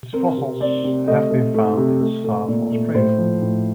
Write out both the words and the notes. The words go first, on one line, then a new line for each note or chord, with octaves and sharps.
Its fossils have been found in South-Australia.
C4 A#4
C3
C4 D5
C3
A3 D#5
A3
A3
C3
A3
A3
A#2
A3
A2 C5
F3
A2